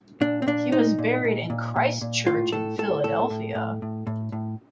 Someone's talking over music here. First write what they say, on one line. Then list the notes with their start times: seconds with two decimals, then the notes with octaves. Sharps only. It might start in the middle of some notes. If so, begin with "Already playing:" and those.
He was buried in Christ Church in Philadelphia.
0.21 A#2 D4
0.42 C4
0.47 A#2 D4
0.72 A#2 D#4
0.99 A#2
1.24 A#2
1.50 A#2
1.76 A#2
2.01 A#2
2.27 A2 F4
2.52 A2 A4
2.78 A2 A4
3.04 A2 A4
3.30 A2
3.55 A2
3.82 A2
4.07 A2
4.32 A2